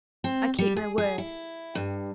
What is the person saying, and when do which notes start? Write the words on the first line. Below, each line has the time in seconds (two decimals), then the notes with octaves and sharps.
I keep my word.
0.24 C4
0.58 G3
0.77 G#4
0.98 G#4
1.18 E4
1.75 G2